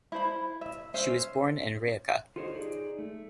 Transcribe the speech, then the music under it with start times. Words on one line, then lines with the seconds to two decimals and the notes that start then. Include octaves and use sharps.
She was born in Rijeka.
0.12 E4 C5 B5
0.61 E5
0.94 C#4 C5 E5
2.36 F4 G4 A4 C5 C#5 D#5
2.55 D#4 G#4 D5
2.98 A3